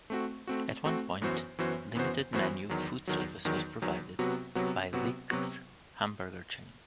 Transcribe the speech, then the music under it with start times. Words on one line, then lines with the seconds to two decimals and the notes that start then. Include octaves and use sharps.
At one point limited menu food service was provided by Lick's hamburger chain.
0.10 A3 C4 F#4
0.47 A3 C4 F#4
0.85 A3 C4 F#4
1.22 F#2 E3 B3 F#4 C5
1.59 F#2 E3 B3 F#4 C5
1.95 F#2 E3 B3 F#4 C5
2.33 F#2 E3 B3 F#4 C5
2.69 E2 D#3 F#3
3.07 E2 D#3 F#3
3.45 E2 D#3 F#3
3.82 E2 D#3 F#3
4.19 C3 F#3 B3 F#4
4.55 C3 F#3 B3 F#4
4.93 C3 F#3 B3 F#4
5.31 C3 F#3 B3 F#4